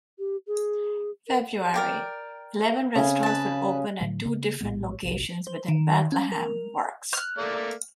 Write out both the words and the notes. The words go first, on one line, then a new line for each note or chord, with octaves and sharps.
February - Eleven restaurants will open at two different locations within Bethlehem Works.
G4
G#4
A#4
A#4 D5 G5
C#3 G#5
B4 A5
A2 D3 F#3 A3
C#3 A#3 B3
A#1 A2 G#3 B3
G1 C2
C5
D#3
C#4
A#4
F6 F#6
A3 A#3 D5